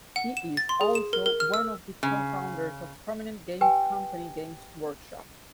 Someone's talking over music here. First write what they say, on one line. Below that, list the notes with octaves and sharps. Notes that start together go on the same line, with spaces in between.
He is also one of the co-founders of prominent games company Games Workshop.
F#5
E7
A6
C6
G#4
E7
A#4
A#4
F6
E6
C#3
G4 B4 G5 G#5